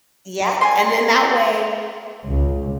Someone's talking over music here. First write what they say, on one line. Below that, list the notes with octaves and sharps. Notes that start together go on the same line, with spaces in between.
Yeah, and then that way
G#5 C6
C#2